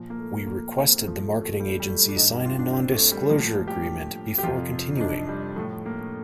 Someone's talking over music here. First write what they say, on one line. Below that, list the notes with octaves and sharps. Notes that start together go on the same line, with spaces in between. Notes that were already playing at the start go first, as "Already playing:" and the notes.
We requested the marketing agency sign a non-disclosure agreement before continuing.
Already playing: A#2 F3
A#3
A3
A#3
C4
A#3
A#2 F3 A3
A3
A3
G3
G3
A3
D4
G2 D#3 D#4
G4
F4
D4
C4
A3
G3
A2 F3 A#3
G4
G4
F2 C3 F3 F4
D#4
D4
G3
A2 F3 A3
A#3